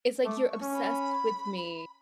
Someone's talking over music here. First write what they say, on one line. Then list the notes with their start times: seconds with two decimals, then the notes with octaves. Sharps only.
It's like you're obsessed with me."
0.25 A3 D6
0.49 C#6
0.62 C#4
0.73 B5